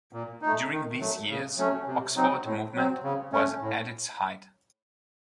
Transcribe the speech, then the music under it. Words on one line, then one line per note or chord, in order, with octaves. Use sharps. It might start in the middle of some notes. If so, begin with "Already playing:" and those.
During these years the "Oxford Movement" was at its height.
A#2
A3 D#4
D#3
F#3 A3
C#3
F#3 A3 C#4
C3
F#3 C4 D#4
A2
F#3 C4
C#3
A3 C#4
A2